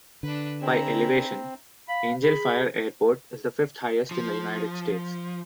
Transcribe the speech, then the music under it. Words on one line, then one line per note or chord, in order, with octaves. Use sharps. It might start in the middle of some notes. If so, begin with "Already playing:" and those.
By elevation, Angel Fire Airport is the fifth highest in the United States.
D3 D4 B4
C4 D4 E4 G#4 A#5
F5 B5
G#4 B5
F3